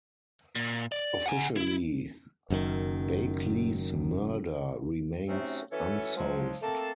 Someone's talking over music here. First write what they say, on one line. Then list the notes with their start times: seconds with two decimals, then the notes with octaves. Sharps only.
Officially, Bakley's murder remains unsolved.
0.55 A#2
0.92 D5
1.26 F#5 G#5
1.56 E4
2.50 F#1 F#2 B2 D#3
5.28 C3 F#3 A3 C4 C#4 D#4
5.71 E3 F#3 C#4 A4 B4 C#5
6.17 F3 F#3 G#3
6.62 A3 A#3 C4 A4 A5